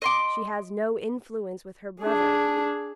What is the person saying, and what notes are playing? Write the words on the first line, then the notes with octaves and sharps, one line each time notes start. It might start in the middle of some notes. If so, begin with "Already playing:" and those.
"She has no influence with her brother."
D#5 C6 D6
D4 G#4